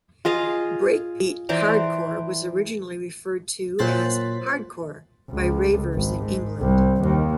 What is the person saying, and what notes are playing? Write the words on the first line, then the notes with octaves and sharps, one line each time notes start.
Breakbeat hardcore was originally referred to as "hardcore" by ravers in England.
F4 G#4 D#5 F5
E3 C5 D5 A#5
A#2 F#3 C5 F#6 A6 B6
C#2
G#1
G#2
C2
D#2